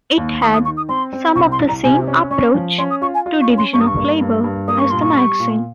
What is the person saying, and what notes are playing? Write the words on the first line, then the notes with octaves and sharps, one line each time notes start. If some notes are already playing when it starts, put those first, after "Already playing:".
It had some of the same approach to division of labour as the magazine.
D#2
D#2 D#6
D#6
D#3 C#6
D#6
C4 C6
C4
C2 C#6
C6
C2
A#5
C3 G#5
C#4
C#4 C#6
F3
C#4 C6
D#6
F4 C#6
G#5
F4
C#6
C#4
C6
G2 C#6
D#6
C#6
A#3
G2
G2
A#3 D#6
C#6
A#2 C6
C#6
G3
A#2